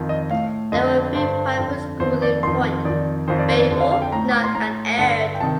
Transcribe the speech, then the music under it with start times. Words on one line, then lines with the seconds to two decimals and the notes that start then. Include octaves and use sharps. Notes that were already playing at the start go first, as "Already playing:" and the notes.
There were three primary schools in Point: Bayble, Knock and Aird.
Already playing: F2 D#3
0.09 D#5
0.30 A2 F5
0.72 F2 D3 D#5
1.15 G2 D3 C5
1.58 F2 D3
2.00 F2 D#3 C5
2.22 D5
2.43 F2 D#3 C6
2.85 F2 D#3 D5
3.28 F2 D#3 C5
3.39 D5
3.48 C5
3.60 D5
3.71 F2 D3
3.80 F5
3.91 F5
4.02 G5
4.12 A2 A#5
4.31 D6
4.44 C6
4.55 A2 A#5
4.97 G2 D3 A5
5.35 G5
5.40 C3 D#3 A5